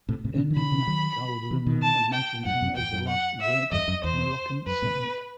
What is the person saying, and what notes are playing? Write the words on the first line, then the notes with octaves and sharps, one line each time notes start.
Ibn Khaldun mentioned him as the last great Moroccan saint.
A2 C3
A2 C3
B2 D#3
E3
B2 D#3 B5
B2 D#3
D#3 F#3
C3 E3
B2 D#3
A5
G5
F#2 A2 F#5
F#2
E2 G5
F#2
F#5
E5
E2 G2 D#5
F#2
E2 C5
F#2 B4
A2 C3